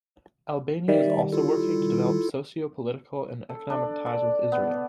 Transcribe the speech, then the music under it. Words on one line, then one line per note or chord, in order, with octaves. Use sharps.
Albania is also working to develop socio-political and economic ties with Israel.
D#3 G3 D5 E5
E4 F4 A4
A4
D4
D5
B3